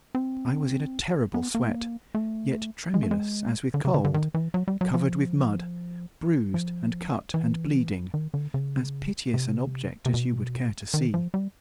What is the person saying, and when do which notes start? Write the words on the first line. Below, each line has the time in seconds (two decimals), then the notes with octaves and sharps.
I was in a terrible sweat,--yet tremulous as with cold; covered with mud; bruised, and cut, and bleeding,--as piteous an object as you would care to see.
0.15 C4
1.34 B3
1.55 A#3
2.15 A3
2.94 G#3
3.03 A3
3.11 G#3
3.74 D3
3.85 C#3
3.94 D3
4.04 D3
4.14 D#3
4.34 E3
4.54 F#3
4.68 G3
4.81 F#3
4.94 F3
6.54 F3
7.34 E3
8.14 D#3
8.34 D3
8.54 C#3
9.34 C3
10.06 C3
10.14 B2
10.94 D#3
11.14 F3
11.34 G3